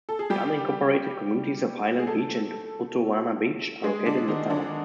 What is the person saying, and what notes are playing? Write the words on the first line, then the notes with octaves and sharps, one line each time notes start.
The unincorporated communities of Highland Beach and Utowana Beach are located in the town.
A4
G#4
G3 G4
G#4
A3 A4
G#3 G#4
D3 D4
D#3 D#4
D3 D4